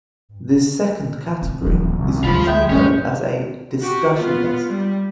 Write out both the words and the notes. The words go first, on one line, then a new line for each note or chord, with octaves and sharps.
This second category is usually known as a "discussion list".
C3
D#1 D#3 F3
C2
D2 F4 C5 B5
G#3 E5 G5
F#2 C#4
F#4 G4
B3 F4
G3